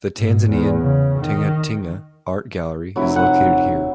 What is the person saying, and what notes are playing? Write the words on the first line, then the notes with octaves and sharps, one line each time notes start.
The Tanzanian Tingatinga Art Gallery is located here.
G#2
E2
C#3
D#3
F1 F#3 E4
F#5